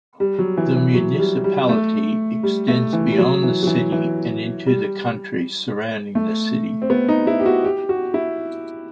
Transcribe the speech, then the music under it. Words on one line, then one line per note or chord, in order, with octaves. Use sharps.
The municipality extends beyond the city and into the country surrounding the city.
G3
F#3
E3
E3
F#3
G3
G3
A3
G3
A3
E3
G3
F#3
E3
F#3
E3
E3
G3
A3
C4
B3
D#4
E4
G4
F#4
G4
F#4
E4